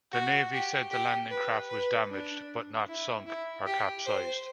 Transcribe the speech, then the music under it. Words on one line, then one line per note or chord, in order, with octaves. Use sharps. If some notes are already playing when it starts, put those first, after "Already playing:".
The Navy said the landing craft was damaged, but not sunk or capsized.
F#4
G4
G4
B4
B4
D4
E4
E4
G4
C5